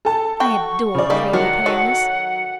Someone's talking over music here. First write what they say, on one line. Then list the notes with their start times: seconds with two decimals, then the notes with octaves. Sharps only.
I adore creamy paleness.
0.05 A4 A5
0.40 F#4 G5 C#6
0.94 C#3 D5
1.10 G3 A#3 D#4
1.33 D#3 F#3 D4 A#4 F#5
1.66 D#3 F#4 A4